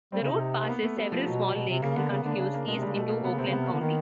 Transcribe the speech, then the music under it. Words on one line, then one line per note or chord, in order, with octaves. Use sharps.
The route passes several small lakes and continues east into Oakland County.
G3 C4
C#3 D#4
C3
A#3
B3
A3
G3
F3
B2 F#3
G3
B2
C3
C#3 A#3
D3 B3
C#3
D3 D4
C#3 D4
A#3
B2 G#3
C3
C#3 G3
B2 A3
A#3
C3 B3
C#3
C3 C4
C#3
C3 B3
A#3
D3
D#3 A#3